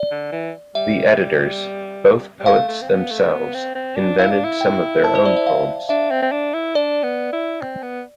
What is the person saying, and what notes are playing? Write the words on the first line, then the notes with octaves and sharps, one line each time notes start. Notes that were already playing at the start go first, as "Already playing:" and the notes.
The editors, both poets themselves, invented some of their own poems.
Already playing: D5
D3
E3
G3 E5
G3
A3 F5
A3
C4
B3
A3
B3
C4
C4
D4
E4 F5
D4
E4
G5
A5
C5
D5
E5
F5
D4 E5
C4
C4
D4
E4
D4 D5
B3
E4
C4
B3